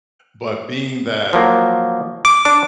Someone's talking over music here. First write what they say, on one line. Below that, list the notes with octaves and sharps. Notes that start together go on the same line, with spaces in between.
but being that
F3 F#3 A#3
D6
D4 D6